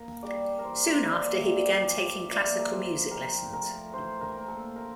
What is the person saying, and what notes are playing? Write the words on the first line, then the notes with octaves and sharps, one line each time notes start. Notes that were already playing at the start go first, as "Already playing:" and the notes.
Soon after he began taking classical music lessons.
Already playing: A#3 A#4
G3 D5
A#4
E3 C5
C5
C5
A#3 D5
E5
D5
C4 D5
F3
E5
A#3 D5
A#4
F3 C5
C4 A#4
A3 A#4
E3 C5
A#4
A#3
A4
A3 A#4